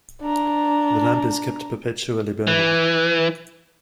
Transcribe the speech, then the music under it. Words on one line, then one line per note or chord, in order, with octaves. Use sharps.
The lamp is kept perpetually burning.
D4 A#5
E3